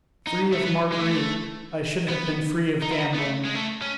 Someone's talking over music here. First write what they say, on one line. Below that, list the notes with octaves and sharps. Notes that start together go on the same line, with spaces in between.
Free of Marguerite, I should have been free of gambling.
D#4
A3
B3
G#3
A3
B3
D#4
E4
D#4
B3
A3
G#3
A3
C#4